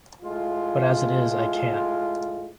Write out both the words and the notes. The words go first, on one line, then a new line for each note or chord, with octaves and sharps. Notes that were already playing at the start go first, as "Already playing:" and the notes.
But as it is I can’t.
A2 G#3 F4